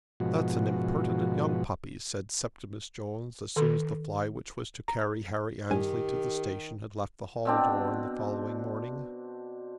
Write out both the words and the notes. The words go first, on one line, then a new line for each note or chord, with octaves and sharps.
"That's an impertinent young puppy," said Septimus Jones as soon as the fly which was to carry Harry Annesley to the station had left the hall-door on the following morning.
G#2 B2 F3 F#4
D#3 A4 C6
A#5
G2 D#3 G4 G#5 D#7
B2 C4 D4